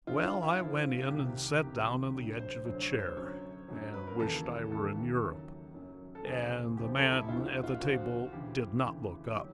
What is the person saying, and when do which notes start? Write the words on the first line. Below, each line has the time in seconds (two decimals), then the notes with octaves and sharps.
Well, I went in and sat down on the edge of a chair, and wished I were in Europe, and the man at the table did not look up.
0.07 G2 D3 F3 F4
0.24 F4
0.42 E4
0.59 G2 D3 F3
1.10 C2 C3 D#3 G4
1.61 C2 C3 D#3 G4
2.13 D2 D3 F#3
2.40 C5
2.65 D2 D3 F#3 C5
2.82 C#5
2.99 C5
3.16 F#2 D3 F#3 C#5
3.68 F#2 D3 F#3
3.94 B4
4.07 A#4
4.20 D#2 C#3 E3 A4
4.71 D#2 C#3 E3 A4
5.23 F#2 D#3 F#3
5.74 F#2 D#3 F#3
6.15 A4
6.26 D2 C3 F3 G#4
6.77 D2 C3 F3 G4
6.95 A4
7.12 E4
7.29 D2 D3 F3 F4
7.46 F#4
7.64 F4
7.81 D2 D3 F3 F#4
8.32 D2 C#3 E3 G4
8.85 D2 C#3 E3
9.36 D#3 F#3 G4